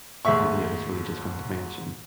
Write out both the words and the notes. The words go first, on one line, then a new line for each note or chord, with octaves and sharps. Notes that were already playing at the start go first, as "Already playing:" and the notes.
i it was really just from the mansion,
D#2 G#2 A3 E5 C#6